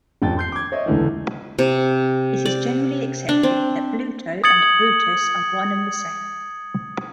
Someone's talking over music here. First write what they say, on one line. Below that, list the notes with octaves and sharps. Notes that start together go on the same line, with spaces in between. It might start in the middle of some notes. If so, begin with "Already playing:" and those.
It is generally accepted that Bluto and Brutus are one and the same.
D#1 F2 G5 A6
C6 G6 C7
D6 G#6
C#5 D#5 E5
E1 C#2 D3 E3
C3
D5
D4
C4
D#6 G#6 A6 C#7 F#7